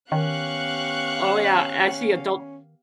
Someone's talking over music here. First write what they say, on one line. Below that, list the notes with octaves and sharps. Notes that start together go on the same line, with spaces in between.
o oh, yeah. I see adult
D#3 B3 C#4 G4 F5 C#6 F#6